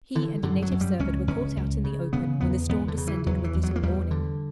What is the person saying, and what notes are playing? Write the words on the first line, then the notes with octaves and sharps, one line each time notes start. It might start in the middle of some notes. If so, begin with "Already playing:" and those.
He and a native servant were caught out in the open, when the storm descended with little warning.
D3 E3
F#2 D3
F#3
F#2
G3
C#2 C#4
C#2 C#4
C#2
C#3
C#3 B3
E2 B3
E2 B3
D3
C#3
E3
E2 F#3
E3
E2
F#3
A#3
E2 G3
D3